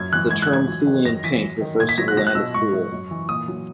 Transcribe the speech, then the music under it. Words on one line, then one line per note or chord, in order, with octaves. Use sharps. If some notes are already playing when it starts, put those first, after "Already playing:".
The term "Thulian pink" refers to the land of Thule.
Already playing: F#2 G#6
E3 F#6
G#2 G#6
F#6
E3 G#6
F#3
D#3
F#2 A#6
E3 B6
F#3
D#3
A#2 G#6
B6
F#3 A#6
F#6
F#3 A#6
F#6
B2 E6
G#2 C#6
F#3
F#2
E3
A#2 D#6
F#3